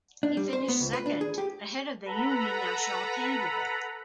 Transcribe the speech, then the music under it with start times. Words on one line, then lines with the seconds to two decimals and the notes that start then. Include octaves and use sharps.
He finished second, ahead of the Union Nationale candidate.
0.23 D4
0.37 G3
0.53 C5
0.68 B3
0.81 C#2
0.93 B4
1.06 D4
1.21 G#4
1.38 G4
2.05 A4 B4 F#5 A#5 B5